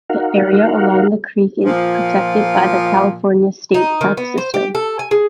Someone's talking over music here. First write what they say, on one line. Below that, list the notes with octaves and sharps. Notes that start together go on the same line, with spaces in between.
The area along the creek is protected by the California State Parks system.
D#4 F#4 A#4 F5 F#5
A#2 F3
D#4
D#3
B3
C5
G4
A4
G#5
G#4